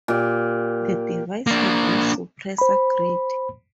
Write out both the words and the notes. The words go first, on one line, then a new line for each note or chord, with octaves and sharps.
The device had no suppressor grid.
A#2 G4
A#3 D4
C5 B5